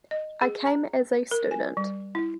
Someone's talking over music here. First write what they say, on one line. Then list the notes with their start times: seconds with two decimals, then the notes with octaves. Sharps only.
I came as a student.
0.11 D#5
0.41 G#4
0.67 A#5
1.31 A#4
1.51 G#5
1.77 G3
2.15 E4